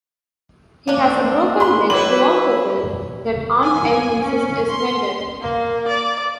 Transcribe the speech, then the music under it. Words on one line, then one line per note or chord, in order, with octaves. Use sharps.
He has a broken leg throughout the film that Aunt Em insists is mended.
A#3 D4
B5 C6
F#3 E4 B4 F#7
G#5
C#4
C6
A#3
D5